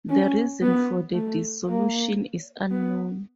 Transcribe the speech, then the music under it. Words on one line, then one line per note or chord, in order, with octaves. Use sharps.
The reason for the dissolution is unknown.
C#4
B3
A3
A#3
B3